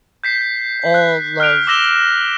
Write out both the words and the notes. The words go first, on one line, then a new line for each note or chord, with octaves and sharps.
all love
G6 B6 C7
F#6 B6
F6 F#6 B6 D7 F7
D6 E6 A#6 E7 G7